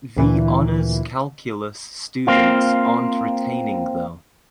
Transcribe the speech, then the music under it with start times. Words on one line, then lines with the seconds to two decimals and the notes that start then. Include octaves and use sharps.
The honors calculus students aren’t retaining though.
0.17 D2 A#2 E3
2.27 A#3 C4 F4